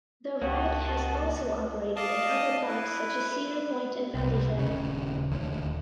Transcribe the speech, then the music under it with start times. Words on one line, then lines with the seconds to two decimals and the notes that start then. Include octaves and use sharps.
The ride has also operated at other parks such as Cedar Point and Valleyfair.
0.42 C#2 A#3 F#4 G4 D#5 F#5 A5
1.96 D5 D#5 F5 A5 D#6
2.68 E4 B4
4.14 C2
4.58 D#1 A#1 C#3
5.32 D#1 D#2 D3